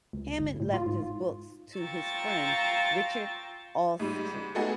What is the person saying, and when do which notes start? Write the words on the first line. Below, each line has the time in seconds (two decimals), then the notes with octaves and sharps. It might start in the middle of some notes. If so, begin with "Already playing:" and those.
Hammond left his books to his friend Richard Allestree.
0.13 C#2
0.38 G1
0.60 A2
0.74 F4
0.86 G#2
1.78 F4 G5 A#5 C#6 E6 A6
4.00 G#2 G3
4.55 G#3 A3 B3 D#4 F#4 G#4